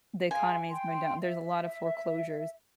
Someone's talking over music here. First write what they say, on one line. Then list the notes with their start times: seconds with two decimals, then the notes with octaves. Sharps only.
"The economy is going down, there's a lot of foreclosures."
0.31 G#4 F5 G#5 C6
0.70 G5 C6
1.19 E5